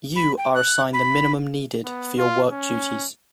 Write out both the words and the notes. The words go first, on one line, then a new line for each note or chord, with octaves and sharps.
You are assigned the minimum needed for your work duties.
B5
G5
F#6
B5
B3
F4
C#4